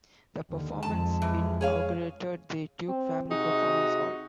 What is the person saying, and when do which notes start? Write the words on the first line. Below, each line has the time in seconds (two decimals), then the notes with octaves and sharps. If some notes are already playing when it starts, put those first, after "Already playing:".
The performance inaugurated the Duke Family Performance Hall.
0.50 D#2 D3
0.83 F2 G#3 A5
1.22 E3
1.61 G#4 C#5 F5
2.88 C4
3.30 C3 D#4 F#4 G#4